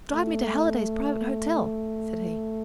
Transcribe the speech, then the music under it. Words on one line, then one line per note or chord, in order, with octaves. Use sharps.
'Drive me to Halliday's Private Hotel,' said he.
A3